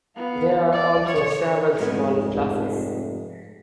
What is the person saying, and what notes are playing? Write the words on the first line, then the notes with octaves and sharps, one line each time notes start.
There are also several smaller classes.
B3 F5
D5
C#5
F1 G#2 G#3 B3